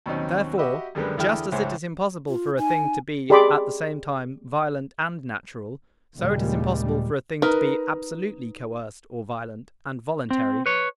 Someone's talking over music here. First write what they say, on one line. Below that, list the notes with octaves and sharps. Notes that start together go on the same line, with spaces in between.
Therefore, just as it is impossible for a thing to be at the same time violent and natural, so it is impossible for a thing to be absolutely coerced or violent, and voluntary.
D#2 B2 F#3 C4 C#4 D#4
F#4 G4 D#5 E5 B5 E6
F#2 D3 G3 G#3 A#4 B4
E2 D3 E4 G#4 G5 F6
C#2 G#2 C5 C#5 E5 G#5
F4
D#4 G#5
G4 G#4 D5 B5 C6 D6
D#2 A#2 C#3 G3 G#3
D#4 A#4 B4
C4
B4 C#5